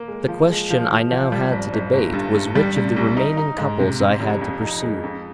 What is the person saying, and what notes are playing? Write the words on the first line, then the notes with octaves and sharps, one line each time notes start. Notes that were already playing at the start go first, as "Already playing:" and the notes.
The question I now had to debate was which of the remaining couples I had to pursue.
Already playing: A#3
G#3
F3
G#3
F3
F3
F3
G3
G#1
G#1
G1
G2
G2
G3
C3
C2
D#4
D#4
G#2
C3
C3
F1
F2
D#4
G#3
F2